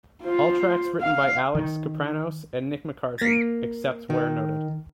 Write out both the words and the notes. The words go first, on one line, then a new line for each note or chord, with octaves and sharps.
All tracks written by Alex Kapranos and Nick McCarthy, except where noted.
F4 C5
F5
D#3
A#3
D#3